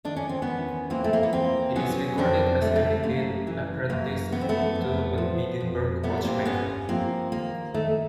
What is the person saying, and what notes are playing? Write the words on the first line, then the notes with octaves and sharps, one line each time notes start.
He is recorded as having been apprenticed to an Edinburgh watchmaker.
D#3 D4
C#4
C4
B3 C#4
E2
E3 A#3 C4
A3
A#3
B3
E2 A#3 C4
F#3 B3 C#4
F2 C4 D4
G3 A3
A3
F#2 A#3
E3
F#2 A#3
E3 B3
C4
A3 B3
F2
F3
F2
G3 A3 B3
A#3 C4
G2 B3 C#4
F3 A#3 C4
D#2 A#3
D#3 A3